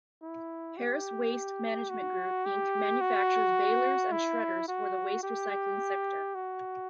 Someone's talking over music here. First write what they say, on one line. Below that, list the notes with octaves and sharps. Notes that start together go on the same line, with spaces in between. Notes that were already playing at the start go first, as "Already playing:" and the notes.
Harris Waste Management Group, Inc manufactures balers and shredders for the waste recycling sector.
E4
G4
F#4
G4
F#4
E4
F#4
G4
F#4